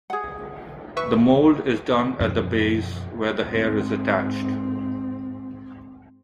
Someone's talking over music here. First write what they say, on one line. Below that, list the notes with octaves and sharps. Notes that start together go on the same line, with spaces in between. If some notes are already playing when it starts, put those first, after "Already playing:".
The mold is done at the base where the hair is attached.
G#4 F#5
B4 E5 C#6
F#2 B2 F3
G#2 C4